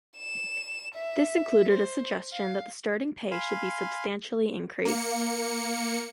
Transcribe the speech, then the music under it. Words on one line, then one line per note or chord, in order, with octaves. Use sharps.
This included a suggestion that the starting pay should be substantially increased.
E7
E5
C5
F5
F5 G#5 B5 C6
A#3 C#7